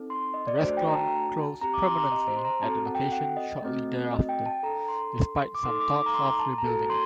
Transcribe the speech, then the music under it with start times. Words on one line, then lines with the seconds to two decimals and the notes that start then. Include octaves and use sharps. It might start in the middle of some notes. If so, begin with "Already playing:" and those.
The restaurant closed permanently at that location shortly thereafter, despite some talk of rebuilding.
Already playing: C4 D#4 A4
0.10 C6
0.34 D#5
0.47 D5
0.60 A3 D4 F#4 C5
0.77 G5
0.89 A#5
0.94 A5
1.61 C4 G4 A#5
1.74 D6
1.86 C6
1.98 A#5
2.12 D#5
2.28 C5
2.37 C6
2.45 A#5
2.62 C4 F#4 A4 A5
2.86 F#5
2.95 G5
3.12 F#5
3.37 D#5
3.62 A3 C4 F#4
4.13 D#5
4.29 G5
4.46 A5
4.63 D4 A4 A#5
4.88 C6
5.55 D6
5.63 A3 D#4 A4 C6
5.80 D6
5.97 D6
6.06 A#5
6.14 C6
6.39 A5
6.58 A#5
6.64 A#3 F#4 A4 A5
6.90 C6